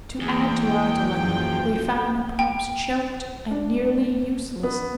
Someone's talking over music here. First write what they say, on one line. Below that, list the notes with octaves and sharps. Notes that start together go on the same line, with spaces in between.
To add to our dilemma, we found the pumps choked and nearly useless.
E2 A#3 G5
F#2 A#2 F3
G5
D4
B3